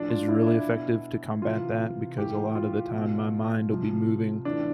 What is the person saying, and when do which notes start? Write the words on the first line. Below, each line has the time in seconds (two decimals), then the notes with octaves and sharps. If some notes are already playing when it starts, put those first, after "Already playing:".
is really effective to combat that, because a lotta the time, my mind will be moving
Already playing: A2 F3 D4
0.09 F4
0.28 E4
0.47 E4
0.67 B2
1.42 C3 E3 F4
2.18 A2 E3 G4
2.55 F4
2.93 B2
3.69 C3 F3
4.45 A2 E3 D4